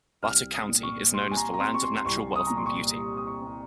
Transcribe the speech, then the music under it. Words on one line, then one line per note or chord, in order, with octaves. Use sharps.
Butte County is known as the Land of Natural Wealth and Beauty.
C2 F6
D#6
A#2
C#6
G3 C6
G#5
A#5
A#5
C4 C6
C#6
C6
C6
C2 C#6
D#6
A#2 A#5
C6
C#6
G3
D#6
C#6
C4